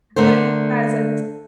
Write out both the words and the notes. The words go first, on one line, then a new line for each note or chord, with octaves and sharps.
And it has a
D3 A3 A#4 C5